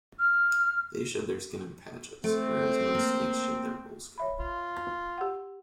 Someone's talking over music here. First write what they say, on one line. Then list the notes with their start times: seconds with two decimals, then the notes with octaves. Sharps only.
They shed their skin in patches, whereas most snakes shed their whole skin.
0.19 F6
2.24 A3 C4
2.95 A#3
4.18 C#5 E5 B5
4.39 F4
5.18 G4 F#5